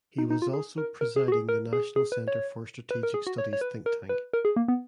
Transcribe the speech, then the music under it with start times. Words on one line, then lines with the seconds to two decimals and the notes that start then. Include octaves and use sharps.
He was also presiding the National Centre for Strategic Studies think tank.
0.18 D#4
0.31 D#4
0.42 F4
0.53 G#4
0.78 A#4
1.01 A#4
1.16 G#4
1.28 F#4
1.32 G#4
1.49 A#4
1.73 G#4
1.96 G#4
2.12 B4
2.28 C#5
2.91 B4
3.03 A#4
3.14 G#4
3.27 F#4
3.38 C#5
3.53 C#5
3.61 B4
3.86 A#4
4.09 B4
4.33 A#4
4.45 G#4
4.56 A#3
4.68 B3